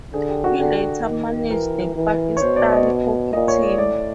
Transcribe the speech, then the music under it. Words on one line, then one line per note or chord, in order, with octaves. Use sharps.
He later managed the Pakistani Hockey Team.
D3 G#4
G4
F#4
D3 G4
D#3
E3 A#4
E3
C#5
B2 C5
D5
D#5
A#2 D#5
C#5
D5
A2 D5